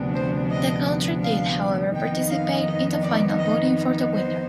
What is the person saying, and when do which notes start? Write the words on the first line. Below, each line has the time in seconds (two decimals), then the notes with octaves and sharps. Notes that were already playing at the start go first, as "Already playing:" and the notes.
The country did however participate in the final voting for the winner.
Already playing: D2 C3 F3 B3 D4
0.14 C5
0.50 D#5
1.22 F5
1.94 F2 D#3 B3 D#4 G5
2.30 F5
2.66 D#5
3.02 D5
3.38 D#5
4.10 C5